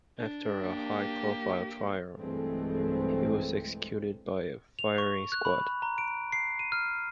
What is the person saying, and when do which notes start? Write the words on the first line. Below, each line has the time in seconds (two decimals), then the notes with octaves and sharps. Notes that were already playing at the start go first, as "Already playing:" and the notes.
After a high-profile trial, he was executed by a firing squad.
0.18 D4
0.63 A#3 G4
2.16 B1 G2 E3 G#3 A3 C4
4.79 F7
4.98 C#6
5.32 F#6
5.45 B5
5.82 A#5
5.98 D7
6.32 C7
6.59 D#7
6.72 F6